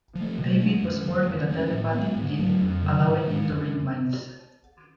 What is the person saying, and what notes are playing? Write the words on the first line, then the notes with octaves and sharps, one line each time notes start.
David was born with a telepathic gift allowing him to read minds.
F3
A3
B2
A3 D4
F#2
D3 F3
F#2
F3 A3 C#4
A2
G#3 B3
G#2
F#3 A3 D4
F2
C#3 F#3
G#2
G#3 B3 D4
F#2